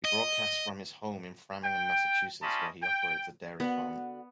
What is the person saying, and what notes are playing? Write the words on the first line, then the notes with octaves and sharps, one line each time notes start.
He broadcasts from his home in Framingham, Massachusetts, where he operates a dairy farm.
D#5
G5
C#4 F4 G4 D#5 A5 B5
G5
D3 B3 F#4 F#5